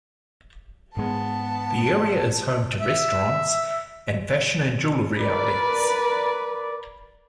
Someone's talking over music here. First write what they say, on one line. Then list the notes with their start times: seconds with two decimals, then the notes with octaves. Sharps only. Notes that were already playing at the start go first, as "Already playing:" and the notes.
The area is home to restaurants and fashion and jewellery outlets.
0.97 G#2 G#3 B3 A5
2.80 E5
5.19 A#4 B4 D5